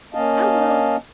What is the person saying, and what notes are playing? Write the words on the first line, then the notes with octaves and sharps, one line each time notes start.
I will
A#3 C#4 D#5 F5 A5